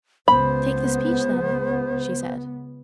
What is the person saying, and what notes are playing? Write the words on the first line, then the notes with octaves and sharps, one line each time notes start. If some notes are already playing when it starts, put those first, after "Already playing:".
"Take this peach, then," she said.
C#2 B3 C5 B5